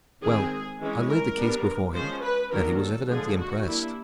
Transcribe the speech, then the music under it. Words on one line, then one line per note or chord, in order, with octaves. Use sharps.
Well, I laid the case before him, and he was evidently impressed.
D#3 G#3 C4 G#4
E3 G#3 C#4
A#4
G3 B3 D4
F3 G#3 C#4 C5
B4
D#3 F#3 A#3 D4 A#4
A4
D3 F3 G#3 G#4
F#4
G3 A#3 D4 E4